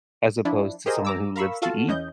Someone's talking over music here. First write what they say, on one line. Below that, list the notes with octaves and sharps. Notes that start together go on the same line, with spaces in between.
as opposed to someone who lives to eat,
F3 D4 E4
G4 G#4 A#4 C5 D#5
A#5 D6 E6
A#4 F5 B5 C#6 E6
F4 F#4 A4 F5 A5
E2 E3 C#4 D#5 G6